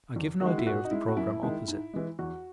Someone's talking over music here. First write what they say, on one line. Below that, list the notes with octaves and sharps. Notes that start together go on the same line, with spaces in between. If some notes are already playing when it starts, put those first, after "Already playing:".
I give an idea of the programme opposite.
E2
D#3 G#3 F#4
E4
A#2 F#4
D#4
G#3 E4
F#4
F#2 E4
D#3 G#3
G#2
E3 G#3
E2 F#4